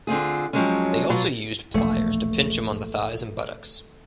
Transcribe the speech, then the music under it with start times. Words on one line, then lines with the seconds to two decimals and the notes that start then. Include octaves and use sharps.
They also used pliers to pinch him on the thighs and buttocks.
0.07 D3 C4 F4 G#4
0.53 F3 F#3 G#3 C4 C#4
1.10 B2 F#3 F4
1.74 E1 A#1 A3